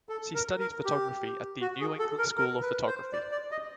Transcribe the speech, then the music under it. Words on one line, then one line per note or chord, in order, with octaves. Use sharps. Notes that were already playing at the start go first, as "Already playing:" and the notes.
She studied photography at the New England School of Photography.
A4
A#4
A#4
G4
F#4
G#4
A4
A#4
A#4
B4
C5
D5
D5
D#5